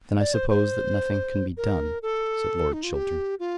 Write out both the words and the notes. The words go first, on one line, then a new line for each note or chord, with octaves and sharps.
"Then I suppose that nothing can be done," said Lord Chiltern.
D5
C5
C5
A#4
A4
D#4
F4
G4
F4